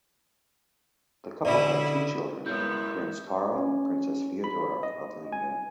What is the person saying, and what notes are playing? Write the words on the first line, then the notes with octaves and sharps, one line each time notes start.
The couple had two children, Prince Carl and Princess Feodora of Leiningen.
B2 D3 E4 D5 E5
G#3 B3 E4 A#4 C#5 E5 G6
C#4
B5
D#5
G#5